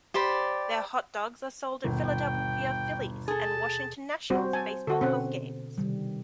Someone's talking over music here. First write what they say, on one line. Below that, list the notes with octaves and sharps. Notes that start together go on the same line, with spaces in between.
Their hot dogs are sold at Philadelphia Phillies and Washington Nationals baseball home games.
G4 C5 D5 B5
G1 D#2 B2 G5
G#4 A4 A5
G3 C4 F#4 C5
G#5 A5
D3 F#4 A4
B2 C4 C#4 F#5
C3 D#3 G3